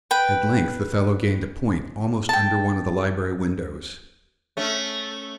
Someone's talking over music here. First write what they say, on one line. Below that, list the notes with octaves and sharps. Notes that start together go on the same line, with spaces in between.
At length the fellow gained a point almost under one of the library windows.
B4 G5
G5 A5
A3 C#4